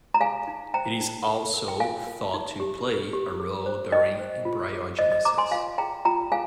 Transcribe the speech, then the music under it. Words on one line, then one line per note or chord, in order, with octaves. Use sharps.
It is also thought to play a role during embryogenesis.
A#5
G#4 F5 G#5
D#4
C5 G5 A#5
D#4
A#4
A#4
G5
F4 F5 G#5
A#4
D#4
G4
A#4
G4
G#4
C5
D#4 D#5 G5
C5
F4
G#4
C5 D#5
D#5
C5 A#5 D6
G#5 C6
F4 F5 G#5
G#4 G5 A#5
F4 G5 A#5
G#4 F5 G#5